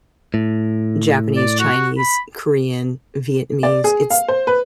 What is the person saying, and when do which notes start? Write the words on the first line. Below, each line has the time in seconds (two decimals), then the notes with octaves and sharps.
Japanese, Chinese, Korean, Vietnamese, it's
0.34 A2
1.36 D5
1.60 F#4
1.98 B5
3.63 D5
3.84 G#4
4.10 F5
4.28 C5
4.47 B4